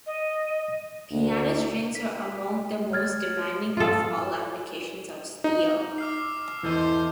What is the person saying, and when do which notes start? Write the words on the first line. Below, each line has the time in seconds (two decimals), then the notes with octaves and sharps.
Piano strings are among the most demanding of all applications of steel.
0.06 D#5
1.11 D2
1.95 B6
2.92 C#5 F6 G#6 A6
3.77 F4 A4
5.44 D#4
5.98 D6 E6 F6 C7
6.63 E2 E3 A4 C5 D#5